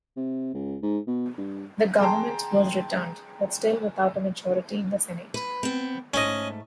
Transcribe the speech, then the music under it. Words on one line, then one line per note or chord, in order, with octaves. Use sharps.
The government was returned, but still without a majority in the Senate.
C3
C#2
G#2
B2
G2
G#4 G5 A5 A#5 C6
B4
B3 C4
G#2 A3 C#4 D#5